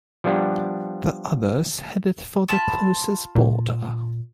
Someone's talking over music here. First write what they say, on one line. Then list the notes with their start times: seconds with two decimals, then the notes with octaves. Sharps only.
The others headed for the closest border.
0.24 F3 G3 B3 D4 G4
2.48 F4 A5 B5
3.35 A#2